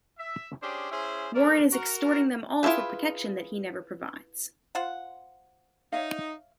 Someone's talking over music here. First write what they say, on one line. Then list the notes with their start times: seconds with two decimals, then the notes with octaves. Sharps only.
Warren is extorting them all for protection that he never provides.
0.18 E5
0.61 C#4 D4 G4 G#4 C5
0.90 C#4 E4 G#4 C5
1.35 D3 A#4 C#5 D5
1.72 F#4 A#4
2.63 E4 F4 G#4 A4 B4
4.75 F4 C5 F#5
5.92 D#4 C#5 E5 F5